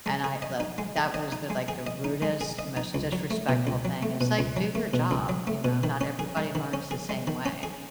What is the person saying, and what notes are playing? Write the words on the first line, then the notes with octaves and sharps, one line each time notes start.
And I thought that was the like the rudest, most disrespectful thing. It's like, do your job, you know? Not everybody learns the same way.
G#3
G#4
D#5
D#4
G#3
G#4
D#5
D#4
G#3
G#4
D#5
D#4
G#3
G#4
D#5
D#4
C#2
F#3
A3
B2
C#2
F#3
A3
B2
C#2
F#3
A3
B2
C#2
F#3
A3
B2
D#3
C#4
G#4
G#3
D#3
C#4
G#4
G#3
D#3
C#4
G#4